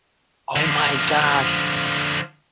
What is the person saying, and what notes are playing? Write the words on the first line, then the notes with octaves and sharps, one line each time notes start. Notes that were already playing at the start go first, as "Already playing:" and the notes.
Oh my gosh.
D3 F3